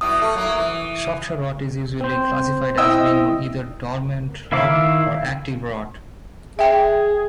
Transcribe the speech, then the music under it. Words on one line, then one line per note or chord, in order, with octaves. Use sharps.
Software rot is usually classified as being either dormant rot or active rot.
B2 G3 E4 D#6
A3
F#3 A#3 E4
E3
C4 C5
E4 D#5 G5 E6
D#3 E4 E5 F5 D6
G#4 E5 G5